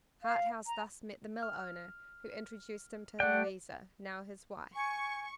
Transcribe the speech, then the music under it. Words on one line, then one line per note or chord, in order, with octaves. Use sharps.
Harthouse thus met the mill owner, who introduced him to Louisa, now his wife.
F5
A#5
F6
A3 D5 F#5 G5
G#5 C#6